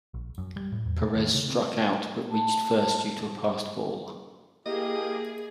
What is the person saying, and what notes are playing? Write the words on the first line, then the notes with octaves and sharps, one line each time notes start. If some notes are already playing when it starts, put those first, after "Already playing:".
Perez struck out but reached first due to a passed ball.
A#1
F#2
G3
A2
E2
A#2
D#3
C#3
C4
A5
A#3 E4 G4 G#4 D#5